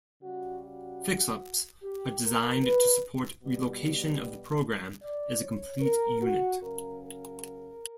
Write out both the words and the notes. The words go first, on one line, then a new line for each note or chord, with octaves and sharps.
Fixups are designed to support relocation of the program as a complete unit.
C#3 G3 F#4
F#4
G4
A#4
B4
B2 G3
D5
C#5
A#4
F#4
C#3 F#3 A#4
A#4